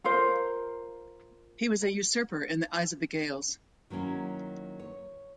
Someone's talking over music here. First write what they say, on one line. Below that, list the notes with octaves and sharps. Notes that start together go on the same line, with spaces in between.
He was a usurper in the eyes of the Gaels.
F4 A#4 C5
D#3 F#3 A#3 C#4 E4
C#5